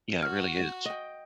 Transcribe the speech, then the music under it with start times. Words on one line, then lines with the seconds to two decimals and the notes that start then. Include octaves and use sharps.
Yeah, it really is.
0.23 F#4 F6
0.85 D#5 G5